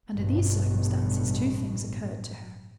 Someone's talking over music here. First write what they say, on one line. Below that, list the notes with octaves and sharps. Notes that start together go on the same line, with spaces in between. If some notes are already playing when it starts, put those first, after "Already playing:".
Under these circumstances two things occurred to her.
A1 G2 B2